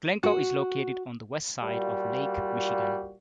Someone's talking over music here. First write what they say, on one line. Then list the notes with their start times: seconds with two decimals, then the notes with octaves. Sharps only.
Glencoe is located on the west side of Lake Michigan.
0.23 F#4
1.63 A#2 G3 F4 F#4